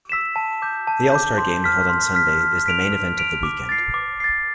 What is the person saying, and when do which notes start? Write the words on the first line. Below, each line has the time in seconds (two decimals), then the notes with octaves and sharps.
The All-Star Game, held on Sunday, is the main event of the weekend.
0.09 E6 B6 E7
0.36 A5
0.62 D6 G6
0.87 A5
1.12 D6 G6
1.38 C6
1.64 F6 B6
1.90 C6
2.15 F6 B6
2.41 F6
2.66 B6 D7 F7
2.92 F6
3.18 B6 D7 F7
3.43 D6
3.69 A6 C7
3.94 D6
4.20 A6 C7